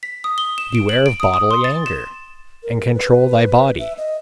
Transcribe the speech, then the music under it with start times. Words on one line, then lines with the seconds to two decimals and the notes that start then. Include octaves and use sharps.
Beware of bodily anger, and control thy body!
0.03 B6
0.24 D#6
0.38 G7
0.58 E7
0.75 D7
0.89 F#7
1.06 D7
1.20 D#6
1.34 D#6
1.51 C6
1.64 A6
1.86 E7
2.63 A#4
2.94 B4
3.79 E5
3.98 D#5